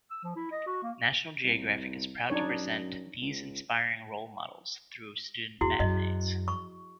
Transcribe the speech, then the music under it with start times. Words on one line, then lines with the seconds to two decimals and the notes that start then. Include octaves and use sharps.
National Geographic is proud to present these inspiring role models through student matinees.
0.11 E6
0.24 F3
0.36 E4
0.52 D#5
0.67 F#4
0.83 A#3
1.44 C2
2.30 F#2 D4 D#4 C#5
3.22 C#2
5.61 E2 E4 F#4 G#4
5.80 F#2 D#5
6.48 C#6